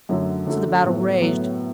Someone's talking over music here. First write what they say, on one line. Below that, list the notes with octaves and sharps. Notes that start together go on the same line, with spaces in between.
So the battle raged.
F#2 D3 F#3 A3
F#2 D3 F#3 A3
A2 F#3 B3
A2 F#3 B3